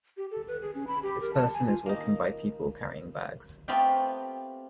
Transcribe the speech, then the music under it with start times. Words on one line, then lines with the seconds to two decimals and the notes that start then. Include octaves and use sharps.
This person is walking by people carrying bags.
0.17 G4
0.31 A4
0.48 B4
0.62 G#4
0.75 C#4
0.87 B5
1.03 G4
1.21 A#4
1.34 A5
1.54 G#5
1.67 F4
1.86 A#3 D#4
3.68 A3 B3 C4 F4 G4 G5